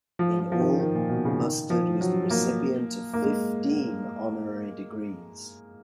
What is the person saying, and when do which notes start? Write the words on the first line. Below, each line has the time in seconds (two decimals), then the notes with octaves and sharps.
In all, Mustard was the recipient of fifteen honorary degrees.
0.19 F3
0.39 F3
0.52 F3
0.60 D#3
0.80 D#3
0.95 A#2
1.09 B2
1.25 C#3
1.41 D#3
1.70 F3
2.01 F#3
2.31 A#3
3.13 A#3
3.22 G#3